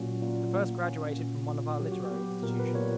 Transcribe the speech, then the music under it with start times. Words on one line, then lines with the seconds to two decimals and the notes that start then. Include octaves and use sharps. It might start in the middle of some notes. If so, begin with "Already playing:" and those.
The first graduated from one of our literary institutions.
Already playing: A#2 F#3 C#4 F#4
0.22 A#2
0.53 A#3
0.84 C#4
1.16 A#2
1.48 A#2
1.80 F#3 G4
1.92 F#4
2.05 G4
2.11 B3
2.43 A#2 A#4
2.59 B4
2.74 A#2 C#5